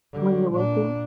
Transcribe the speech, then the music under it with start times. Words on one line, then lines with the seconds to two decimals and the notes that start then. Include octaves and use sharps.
When you're working?
0.13 D3 G3
0.53 A#2 D4